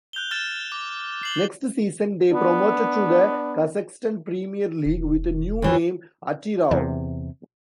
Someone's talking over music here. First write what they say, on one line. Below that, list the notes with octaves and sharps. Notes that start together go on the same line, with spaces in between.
Next season, they promoted to the Kazakhstan Premier League with a new name Atyrau.
F#6 G6 F7 G7
F6 A6 E7
D6
C7 F#7 G7
B3 D4
E1
D#2 E3
E2 C3